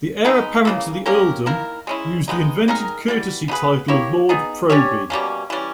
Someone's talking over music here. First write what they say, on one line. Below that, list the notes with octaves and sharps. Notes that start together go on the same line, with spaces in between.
The heir apparent to the earldom used the invented courtesy title of "Lord Proby".
G#3 B3 D#4
C#3 E3 G3 A#3
A#3 C#4 G4 A#4
D#3 A#3 E4 A#4
G#3 C#4 E4
G#3 B3 D#4
D#3 G#3 D#4 A#4
E3 G3 B3
B3 D#4 G#4 B4
A#3 E4 G4 C#5
B3 D#4 G#4
G3 C#4 G4 C#5
B2 G3 A#3 C#4
E3 G3 C#4